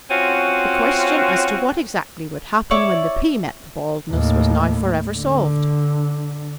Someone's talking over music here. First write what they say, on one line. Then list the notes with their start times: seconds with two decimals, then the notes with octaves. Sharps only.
The question as to what exactly would happen when the pea met the baldness was now for ever solved.
0.10 C4 C#4 F4 F#4
2.71 E4 C#5 D5
4.11 D#2 A2
5.14 D3